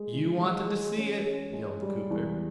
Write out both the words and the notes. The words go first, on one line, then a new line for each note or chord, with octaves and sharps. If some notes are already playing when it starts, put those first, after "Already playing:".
"You wanted to see it," yelled Cooper.
Already playing: G#3 G#4
E3
G#3
G#3
C#4
C#4
G#3
G3
E2